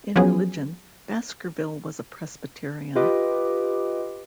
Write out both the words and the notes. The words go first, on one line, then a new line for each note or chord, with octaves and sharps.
In religion, Baskerville was a Presbyterian.
F3 F#3 B3 C#4 G#4
F4 G4 B4 D#5 D6